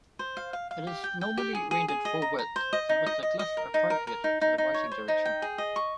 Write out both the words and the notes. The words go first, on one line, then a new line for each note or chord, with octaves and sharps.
It is normally rendered fullwidth and with a glyph appropriate to the writing direction.
C5
F5
F5
F5
G4
G5
G5
G4
G#4
G#4
G#4
D#5
A#5
A#5
C5
D#5
D#4
D#5
D#5
D#5
A#4
D#4
A#4
A#4
D#4
D#4
D#4
C#5
C5
D#4
G5
G#4
D#5
C#6